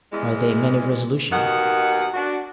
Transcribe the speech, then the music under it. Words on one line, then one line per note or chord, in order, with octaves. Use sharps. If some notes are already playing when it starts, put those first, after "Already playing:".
"Are they men of resolution?"
E2 G3 G#3
D#2 B2 D#3 F#5
D4 F#4